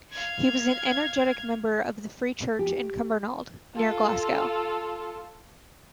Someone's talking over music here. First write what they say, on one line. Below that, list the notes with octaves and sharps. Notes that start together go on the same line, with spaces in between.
He was an energetic member of the Free Church in Cumbernauld, near Glasgow.
F5 G#6
G4
F4 A4